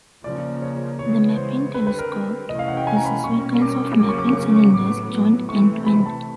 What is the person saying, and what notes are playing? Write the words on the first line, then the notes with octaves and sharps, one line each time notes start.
The mapping telescope is a sequence of mapping cylinders, joined end-to-end.
C#3 F3 A#3 D5
C#5
C#3 E3 G#3 B3 C#5
C5
D3 G3 C4 B4
B4
A#4
C3 E3 A3 C#4 D#5
F5
F#5
G5
G#5
A#5
B5
B2 G3 A#3 C#4 C#6
D6
C#3 F#3 A#3 C#4 D6
C#6
D6
C#6
D6
C#6
A2 F#3 B3 D6
C3 E3 A3 C4 C#6
B5
A5